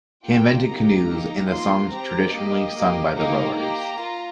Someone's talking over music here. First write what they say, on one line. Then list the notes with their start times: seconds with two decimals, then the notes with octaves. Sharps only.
He invented canoes and the songs traditionally sung by the rowers.
0.25 A#3 F4 G5
0.66 A#3 D#4 G4 A#5
1.08 A#3 D#4 G4
1.49 A#3 F4 C6
1.91 C4 G4 A#5
2.33 A#3 G4 D#5
2.74 A#3 G4
3.16 A#3 D#4 G4 A#5
3.57 A#3 G4
3.99 F4